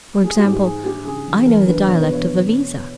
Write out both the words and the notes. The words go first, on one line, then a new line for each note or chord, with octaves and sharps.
For example, I know the dialect of Iviza.'
G3 G#4
G4
G#2
G4
D#3 G#4
G2 G4
C#3 G#4
E2
E3 A#4
G2 B4
B2 C#5
B4
E2 C#5